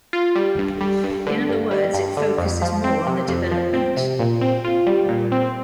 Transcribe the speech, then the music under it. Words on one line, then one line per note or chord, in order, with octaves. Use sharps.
In other words, it focuses more on the development.
F4
G3
G2
G3
G2
D3
G2
G3
G2
D3
F2
F3
C4
C3
F2
F3
C4
C3
A#2
C4
F4
G3
A#2
C4